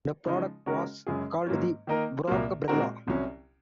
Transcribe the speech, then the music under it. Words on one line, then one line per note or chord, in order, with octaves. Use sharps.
The product was called the Brockabrella.
C#3 F3 G#3 D#4
C#3 G#3 C#4 F#4 A#4
F#2 C#3 G#3 C#4 G#4
G#2 F#3 A#3 C#4
D#3 A#3 D#4 A#4
C2 A#2 F#3 A#3
A#2 G#3 C4 F#4 A#4
C2 C3 F#3 C#4